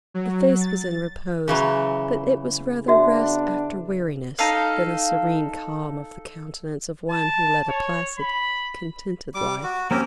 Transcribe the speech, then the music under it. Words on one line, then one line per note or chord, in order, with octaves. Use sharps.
The face was in repose; but it was rather rest after weariness, than the serene calm of the countenance of one who led a placid, contented life.
F#3
A6
C#3 E3 F#3
B3 D4 F#4 E5
D#4 A4 F5
A5
C#5
B5
G3 D6
F#4
A#3 C4 C#4 G4 A#4